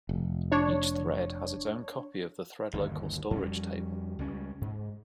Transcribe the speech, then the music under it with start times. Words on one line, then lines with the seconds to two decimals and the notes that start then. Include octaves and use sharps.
Each thread has its own copy of the thread-local storage table.
0.09 F1
0.52 D4 C#5
2.73 G1 D#2
3.31 F2 G3 C#4
4.19 C#2 G3 C#4
4.61 G#2